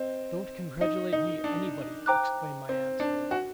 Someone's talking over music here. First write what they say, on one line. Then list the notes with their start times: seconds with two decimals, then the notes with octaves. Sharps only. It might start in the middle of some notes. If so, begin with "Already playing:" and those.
'Don't congratulate me, anybody!' exclaimed my aunt.
Already playing: C4 D#5
0.81 D#4
1.13 D#4
1.44 D4
2.06 C5 G5 A#5 D6 F#6
2.69 C4
3.00 D4
3.31 F#4